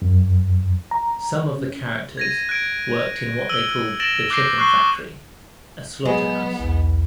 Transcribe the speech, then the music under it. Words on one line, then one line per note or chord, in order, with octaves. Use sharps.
Some of the characters worked in what they called "the chicken factory", a slaughterhouse.
F#2
A#5
C#4
G#6 A#6 D#7
F#6 G#6 D7
E6 D#7 F#7 G7
A6 A#6 D7 E7 F#7 G7
D6 F#6 G6 A#6 C7 D7
C#6 F#6 C7 G7
F#3 G#3 B3
B1 E2